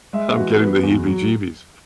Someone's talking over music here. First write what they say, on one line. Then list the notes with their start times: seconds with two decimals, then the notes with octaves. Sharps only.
I'm getting the heebie-jeebies.
0.13 G#3 E5
0.36 E3 F#4
0.60 B3
0.83 E2
1.06 F#3